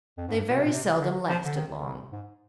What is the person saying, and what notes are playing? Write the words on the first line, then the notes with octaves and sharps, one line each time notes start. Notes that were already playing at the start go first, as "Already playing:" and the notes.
They very seldom lasted long.
F2
G#2
G2
A#2
C3
A#2
C3
D3
F3
D3
D#3
D3
C3
G#2